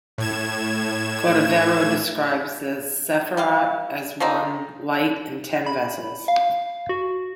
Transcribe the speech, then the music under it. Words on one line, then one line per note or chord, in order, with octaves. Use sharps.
Cordovero describes the sephirot as one light in ten vessels.
A2 G#6 E7
G3 G4 F5
F3 A#3 C4 D#4
B5
F5
F#4